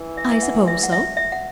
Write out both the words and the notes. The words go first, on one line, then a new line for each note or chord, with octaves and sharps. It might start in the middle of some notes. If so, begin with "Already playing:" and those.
"I suppose so."
Already playing: E3
E5
E5
F#5
E5
F#5
E5
E5
F#5